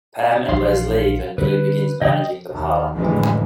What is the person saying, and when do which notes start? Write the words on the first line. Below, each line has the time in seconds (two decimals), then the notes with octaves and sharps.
Pam and Les leave and Billy begins managing the parlour.
0.49 A#1 E3 D4 F5 C6
1.38 D3 G3 C#4 B4
2.02 C#3 E3 D#5 G5 D#6
2.50 D#2
2.94 A1 F2 A2 D3 E3 G#3